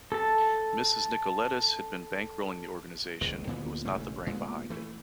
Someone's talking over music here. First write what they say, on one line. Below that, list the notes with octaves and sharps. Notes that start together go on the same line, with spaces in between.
Mrs Nicoletis had been bankrolling the organisation, but was not the brain behind it.
A4 A5
D#1 C#2 G#3
D2 A#2 E3 B3
E1 A1 C#3 A3
A#2 G#3 B3
E3 A3